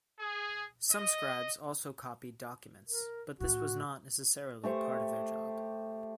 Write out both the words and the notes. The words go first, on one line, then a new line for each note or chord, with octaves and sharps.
Some scribes also copied documents, but this was not necessarily part of their job.
G#4
D#5
A#4
A2 D3 F#4
A3 G4 C5 C#6